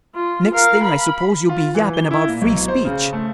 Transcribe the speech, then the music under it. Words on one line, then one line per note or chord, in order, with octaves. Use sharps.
Next thing, I suppose you'll be yapping about free speech.
F4
A#4 F5
B5
F4
E3
G7
E4
A#2
B1
C5
C#3
A3